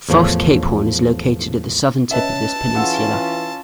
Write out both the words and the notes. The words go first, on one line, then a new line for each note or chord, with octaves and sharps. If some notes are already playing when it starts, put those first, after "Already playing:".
False Cape Horn is located at the southern tip of this peninsula.
E2 A2 F3 C#5
C#4 B4 D#5 E5 A5
E3 C#4 F4 G#4 F#5 E6